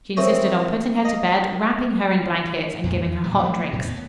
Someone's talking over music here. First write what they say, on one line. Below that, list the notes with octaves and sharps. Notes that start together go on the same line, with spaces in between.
She insisted on putting her to bed, wrapping her in blankets and giving her hot drinks.
C4 E4 G#4 A#4 C5 C#5
D#5
F2 A#2 G#3
E2
D2 A#2 F#3 G3
F3 F#3 A3 A#3
A2 C3 F#3
D#2 A2 B3